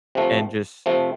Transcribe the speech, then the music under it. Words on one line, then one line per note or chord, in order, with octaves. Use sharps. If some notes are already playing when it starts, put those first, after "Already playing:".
and just
C3 F3 A3
C3 F3 A3